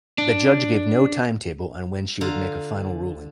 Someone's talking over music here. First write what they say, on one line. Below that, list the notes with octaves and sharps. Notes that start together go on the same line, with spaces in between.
The judge gave no timetable on when she would make a final ruling.
D4
D3 F4 A#5